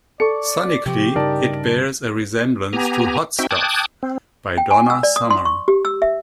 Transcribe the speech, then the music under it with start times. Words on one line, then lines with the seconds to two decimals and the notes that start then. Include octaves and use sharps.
Sonically, it bears a resemblance to "Hot Stuff" by Donna Summer.
0.20 A4 D5 C#6 C#7
0.86 C3 F3 G4
1.16 G2 C#3 D#4 A#4 D5 A5
2.73 B3 G4 G#5 A#5
3.39 C4 D#4 F#4 E5 G5
3.51 G5 A5 D6 D#6 F#6 G#6
4.03 C4
4.58 G5
4.71 G#5
4.90 E6
5.03 D5
5.16 D#6
5.30 C6
5.45 C#6
5.68 G4
5.85 E6
6.02 E5